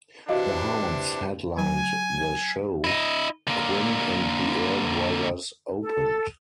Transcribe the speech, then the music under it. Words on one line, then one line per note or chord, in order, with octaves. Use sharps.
The Hounds headlined the show; Quin and the Earl Brothers opened.
C3 E3 D4 F#4 D#5 F5
F#3 G#5
E4 D#5
D3 A#3
A4